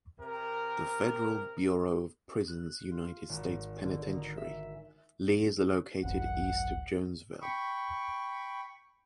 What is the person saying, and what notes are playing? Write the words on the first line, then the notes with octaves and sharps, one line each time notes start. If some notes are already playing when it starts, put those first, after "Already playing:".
The Federal Bureau of Prisons United States Penitentiary, Lee is located east of Jonesville.
C3 A#4
F#6
F4
G#1
D3
D#4
E5
G#1 C#2 F#2 F#5
G5 B5 C#6